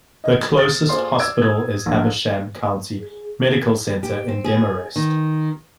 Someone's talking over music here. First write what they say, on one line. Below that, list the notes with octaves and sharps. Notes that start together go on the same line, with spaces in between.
The closest hospital is Habersham County Medical Center in Demorest.
D#5
D#6 F6 A6
F4 G#4 A4 C5 D5 C6
D5 E6 G#6 D7
D#6 G#6
A#1
G#4
G4
C4
G#4
D#3